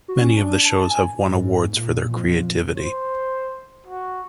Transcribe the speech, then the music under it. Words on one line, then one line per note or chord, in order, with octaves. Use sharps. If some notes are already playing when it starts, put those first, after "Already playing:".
Many of the shows have won awards for their creativity.
F#4
C#4
D4
A5
G#5
G#2
A#2
F2
C5
F#4